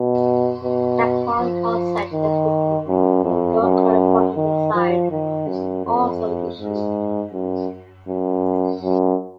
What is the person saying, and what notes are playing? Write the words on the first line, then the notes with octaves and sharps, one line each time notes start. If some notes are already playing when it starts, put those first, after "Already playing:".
A cloth lozenge depicting the gold colored button design was also issued.
Already playing: B2
B2
F3
D#3
F#2
F2
F#2
D#3
F3
D#3
F#2
F2
G#2
F#2
F#2
F#2